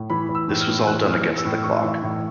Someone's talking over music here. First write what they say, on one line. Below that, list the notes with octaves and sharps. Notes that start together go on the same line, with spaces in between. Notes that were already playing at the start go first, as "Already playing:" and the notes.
This was all done against the clock.
Already playing: A2
E3 B5
E3
E6
A2
F6
A2
E3 F#6
E3
F6
A2
E6
A2
E3 C#6
E3
A2